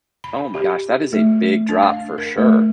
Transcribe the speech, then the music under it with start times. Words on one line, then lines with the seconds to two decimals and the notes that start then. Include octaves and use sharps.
Oh my gosh, that is a big drop for sure!
0.24 B5
0.54 G4
1.13 A3
1.69 D4
1.83 F5
2.18 A#4
2.38 A3